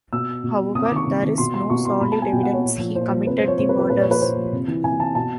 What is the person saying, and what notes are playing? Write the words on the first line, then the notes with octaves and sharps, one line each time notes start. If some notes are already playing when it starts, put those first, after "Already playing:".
However, there is no solid evidence he committed the murders.
B2 E6
B2
C3 D#6
D6
D#3
C#6
C3
D#3
B2 C6
C6
B2 C#6
C6
B2 B5
A5
G#5
B2 G5
F#5
C#5
A#2
F3
A#2 C5
F3 C5
C3 B4
F3 C5
C#5
C3 C5
B4
F3
B4
A#2 B4
C#5
F3
B4
A#2 C5
F3
C3
E3
C3 G#5
E3 A5
B2 A5